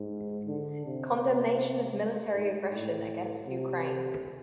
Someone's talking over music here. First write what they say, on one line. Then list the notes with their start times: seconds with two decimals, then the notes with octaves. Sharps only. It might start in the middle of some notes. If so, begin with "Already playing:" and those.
Condemnation of military aggression against Ukraine.
Already playing: G#2
0.47 D3
0.86 C3
2.35 G#2
2.73 A2
3.47 C3